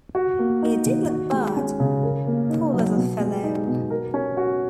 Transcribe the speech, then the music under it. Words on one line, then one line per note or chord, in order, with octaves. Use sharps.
He did look bad, poor little fellow!
F#4
A#3
D#4
D#3
F#4
G#3
C#4
C#3
A#4
A#3
D#4
F#3
B2
G#3
D#4
B2
A#4
C#4
F#4